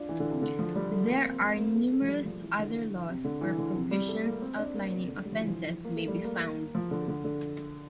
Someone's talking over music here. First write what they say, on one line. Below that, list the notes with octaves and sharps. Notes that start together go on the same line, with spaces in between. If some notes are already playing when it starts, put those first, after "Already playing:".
There are numerous other laws where provisions outlining offences may be found.
Already playing: D4 F4
E3
D3
C3
D3
F3
G3
A3
A#3
C4
C4
A#3
A3
A3
F3
G3
F3
E3
D3
C3
D3
E3
D3
C3
G3
A3
A#3
C4
D4
A#3
C3
D3
G3
F3
E3
F3
A#3
A3
G3
A#3
F3
D3
D3
D3